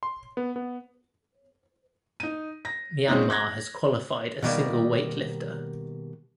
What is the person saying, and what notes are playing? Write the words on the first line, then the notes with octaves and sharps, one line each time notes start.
Myanmar has qualified a single weightlifter.
C6
B3
B3
D#4 D#7
A#6
C#3 G#3 C4 C#4 D#4
F#6 G#6 A#6
B2 D#3 G3 A#3